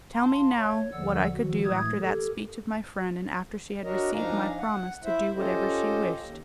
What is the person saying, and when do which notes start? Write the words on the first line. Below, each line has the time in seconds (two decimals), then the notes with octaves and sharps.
Tell me now what I could do after that speech of my friend, and after she had received my promise to do whatever she wished.
0.14 F5 A5 C6
0.56 C#5
0.92 D#2 D3 F3 D5 F#5 E6
1.33 D#3 F3 F#4
1.64 A2 E3 G#3 A3 D#6 G#6
1.99 G4 A4 A#4
3.83 D4 F#4 A#4 C#5 D#5
4.14 F3 D4 D#4 F5 G#5 A#5
4.59 F#5
5.04 E4 C5 E5
5.36 C#4 F4 G4 A4 C5 D#5
6.18 D#2